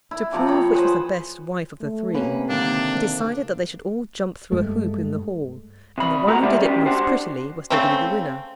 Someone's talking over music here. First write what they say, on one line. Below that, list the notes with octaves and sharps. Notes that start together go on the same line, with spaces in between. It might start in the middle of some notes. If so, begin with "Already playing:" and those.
To prove which was the best wife of the three, he decided that they should all jump through a hoop in the hall, and the one who did it most prettily was to be the winner.
E4
C3 F3 F#5 D6
C#5 A#5 B5
G#4 B4 C5 B5
A3
C3 A#3 C#4 B4
D3 D#3 A#3 D4
G2 G#3 A3
C3 B5
C2 A3 F#4 A#4 F#5 A#5
G#3 E4 G4 C5 D5 E5
C#4 F#4 G4
D4 F#4 C5
C#3 A3 C4